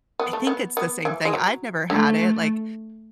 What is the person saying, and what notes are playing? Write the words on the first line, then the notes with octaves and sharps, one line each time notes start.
I think it's the same thing. I've never had it, like,
B3
A3
B3
B3
E3
G#3
F#3
D3 A3